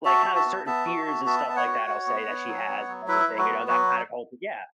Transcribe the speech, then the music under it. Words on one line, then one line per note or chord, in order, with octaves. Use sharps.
like, kinda certain fears and stuff like that, I'll say that she has and everything, you know, that kind of whole yeah,
F#4 E5 A5
F#4
E5 A5
B3
B3 E5 A5
F#4
F#4
B3 E5 A5
B3 A5
C#5 F#5
F#4
F#4
B3
B3
F#3
B3
F#3
E4 B4 E5
F#3
F#4 B4
B3
F#3 F#4 B4